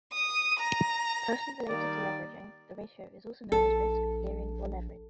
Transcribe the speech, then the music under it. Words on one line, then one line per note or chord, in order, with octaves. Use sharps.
Closely related to leveraging, the ratio is also known as risk, gearing or leverage.
D#6
A#5
D#3 G3 A#3 D5
A#1 A4